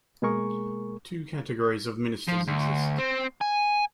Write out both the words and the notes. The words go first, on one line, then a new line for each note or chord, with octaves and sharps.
Two categories of ministers exist.
B2 G#3 A#3 G#4 A#4 C#6
F3
D2
C4
G#5